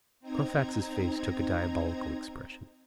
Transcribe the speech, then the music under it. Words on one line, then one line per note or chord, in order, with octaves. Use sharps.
Carfax's face took a diabolical expression.
C4 D#4 A#5 G#6